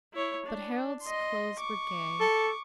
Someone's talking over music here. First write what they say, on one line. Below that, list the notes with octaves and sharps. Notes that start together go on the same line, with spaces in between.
But Harald's clothes were gay.
E4 C#5
D4
D#5 C6
C#6 D6
A4